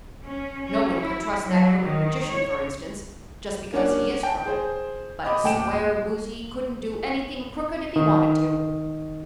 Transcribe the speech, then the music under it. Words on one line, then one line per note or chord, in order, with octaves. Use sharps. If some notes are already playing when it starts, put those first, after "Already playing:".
"No one could trust that Crooked Magician, for instance, just because he is crooked; but a square Woozy couldn't do anything crooked if he wanted to."
C#4
C#4
E4
F#3
D#3
C#5
A#3 C#4 D4 C#5 D5 F#5
G5 A5
G#4 C5
D#5 B5 D6
D#1 A2 A4 G5 D6 E7
D#3